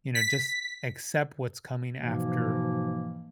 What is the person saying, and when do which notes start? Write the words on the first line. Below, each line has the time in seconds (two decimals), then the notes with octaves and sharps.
you know, "just accept what's coming after"
0.15 B6
1.97 G#2 B2 E3 F3 A#3